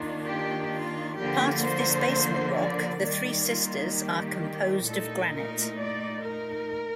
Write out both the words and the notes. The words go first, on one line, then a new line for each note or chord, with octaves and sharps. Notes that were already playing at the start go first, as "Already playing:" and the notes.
Part of this basement rock, the Three Sisters are composed of granite.
Already playing: D#3 A#3 D4 F4
G4
F4
D3 F3 A#3 G4
C5
D5
D#3 G3 A#3 D5
F4
G4
A#2 A3 D#4 A4
A#4
D5
A#4